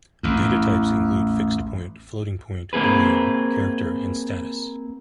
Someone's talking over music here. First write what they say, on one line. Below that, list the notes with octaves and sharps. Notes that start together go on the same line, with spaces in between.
Data types include fixed-point, floating-point, boolean, character and status.
A1 E2
A#3 C4 G#4 B4